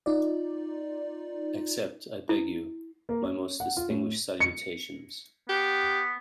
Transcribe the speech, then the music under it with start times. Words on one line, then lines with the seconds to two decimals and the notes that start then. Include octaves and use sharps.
Accept, I beg you, my most distinguished salutations.
0.06 D#4 F4 D5
2.29 E4
3.09 A#3
3.23 C#4
3.60 F#5
3.77 F4
3.90 A2
4.40 C#7
5.49 B3 G4